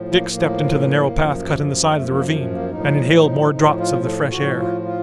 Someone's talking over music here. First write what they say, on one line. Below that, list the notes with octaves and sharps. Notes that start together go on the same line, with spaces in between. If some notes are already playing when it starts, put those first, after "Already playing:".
Dick stepped into the narrow path cut in the side of the ravine and inhaled more draughts of the fresh air.
Already playing: A2 F3
A#3
A2 F3 A#3
F#2 F3
F#2 F3 A3
A#3
A#3
A2 F3 D#4
D#4
A2 F3 D#4
F4
A4
A2 F3 F#4
F4
F4